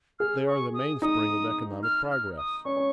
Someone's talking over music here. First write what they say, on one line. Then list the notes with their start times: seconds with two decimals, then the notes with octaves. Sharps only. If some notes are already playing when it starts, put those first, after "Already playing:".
They are the mainspring of economic progress.
0.19 G#4 F6
0.47 C#6
0.74 D#6
1.02 D#4 D#6
1.83 F6
2.11 F6
2.37 D#6
2.65 C#4 C#6
2.76 C#4